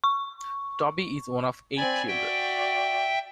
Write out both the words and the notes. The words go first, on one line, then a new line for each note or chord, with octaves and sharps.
Toby is one of eight children.
C#6
C4 D5 G#5 B5
F#4 D5 E5 G5